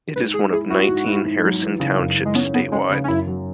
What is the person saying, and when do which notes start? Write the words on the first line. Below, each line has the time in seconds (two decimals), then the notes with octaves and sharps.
It is one of nineteen Harrison Townships statewide.
0.16 G#2 B4
0.34 G#2 G#4
0.53 E4 G#4
0.70 E4 F#4
0.89 G#2
1.08 E4
1.25 G#2
1.44 F#3
1.62 E3
1.80 C#3
1.98 F#2
2.18 E3
2.25 G#3
2.35 B3 C#4
2.54 B3 C#4
2.72 G#3 C#4
2.90 C#3 B3
3.04 C#4
3.08 F#2 E4
3.27 F#3